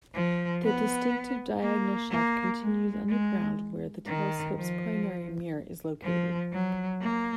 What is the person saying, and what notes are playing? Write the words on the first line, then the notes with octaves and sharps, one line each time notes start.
The distinctive diagonal shaft continues underground, where the telescope's primary mirror is located.
F3
B3
A#3
A#3
G#3
G#3
D#3
F3
F3
F#3
A#3